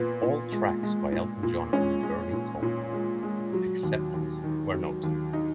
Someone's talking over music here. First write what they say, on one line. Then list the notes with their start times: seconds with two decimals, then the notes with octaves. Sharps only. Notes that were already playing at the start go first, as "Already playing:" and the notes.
All tracks by Elton John and Bernie Taupin, except where noted.
Already playing: A#2 B3
0.23 A#2
0.52 G#3
0.83 G#3
1.12 A#2
1.43 A#2
1.73 G#3 C#4
2.03 G#3
2.33 A#2
2.62 A#2
2.93 G#3
3.23 G#3
3.53 F#3
3.83 D#2
4.14 D#2
4.44 D#3
4.73 F#3
5.03 D#2
5.33 D#4